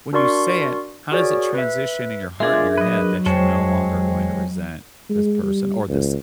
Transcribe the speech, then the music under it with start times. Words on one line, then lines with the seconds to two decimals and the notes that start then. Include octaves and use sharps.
When you say it, how does it transition in your heart and your head that you're no longer going to resent this person or this
0.13 D4 F#4 A#4 D5 C6 C#6
1.12 F#4 G#4 A#4 C#5 D5
1.54 B4 E5
2.40 G#3 D4 F4 G#4 A#4 D5 E5 G#6
2.78 F#3 B4 D#5
3.26 F2 G#3 C5 C#5 G5 A5
5.10 G#3
5.43 G3
5.89 C#2